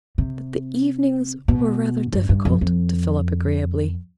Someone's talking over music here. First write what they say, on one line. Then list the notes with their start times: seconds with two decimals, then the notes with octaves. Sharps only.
But the evenings were rather difficult to fill up agreeably.
0.18 C3
1.48 B2
2.13 G2
2.29 G2
2.45 F2
2.61 F2